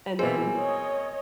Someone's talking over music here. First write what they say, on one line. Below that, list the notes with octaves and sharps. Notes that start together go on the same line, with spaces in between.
and then
B2 G#3 A#3 C4 G#4
C#5 D#5